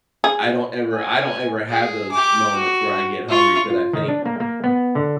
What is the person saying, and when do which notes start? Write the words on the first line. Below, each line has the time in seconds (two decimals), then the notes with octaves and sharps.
I don't ever I don't ever have those moments where I get hungry, 'cause I think,
0.24 G#4
0.93 G#5
1.69 G#4
2.11 G4 D6
2.55 F#4
3.29 F4 C#6
3.70 F4
3.93 D#3
4.08 D4
4.26 A#3
4.40 A#3
4.64 B3
4.95 D3